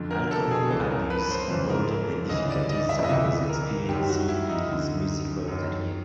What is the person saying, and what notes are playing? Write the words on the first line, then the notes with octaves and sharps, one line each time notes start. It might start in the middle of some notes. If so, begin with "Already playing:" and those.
Alcohol abuse compounded the difficulties he was experiencing in his musical career.
Already playing: F2 D3
A#4
A4
G#4
C#2 C#3 E3 A4
A#4
B4
C5
F2 C#3 E3 C5
A#4
D2 C#3 E3 D#5
D5
D#5
E5
D#5
D2 C3 E3 E5
A#4
F#2 D#3 G4
F#4
E4
D#4
D2 D3
F#2 D#3